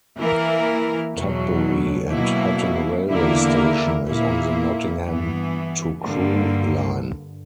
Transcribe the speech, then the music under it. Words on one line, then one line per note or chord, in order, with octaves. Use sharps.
Tutbury and Hatton railway station is on the Nottingham to Crewe line.
E3 A#3 E4 A#4
E2 B2 F#3
B2 F#3 A#3 E4
E2 D3 A#3 E4 A#4
A#2 A#3 E4
G2 E3 B3
G2 D3 A#3